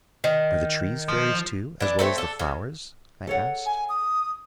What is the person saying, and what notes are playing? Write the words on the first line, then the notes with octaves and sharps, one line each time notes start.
"Are the trees fairies too, as well as the flowers?" I asked.
D#3
F3
E3 D4
A3 C4 B4 C#5
D4 A4
C#3
A4 C#5 F#5
G#5
D#6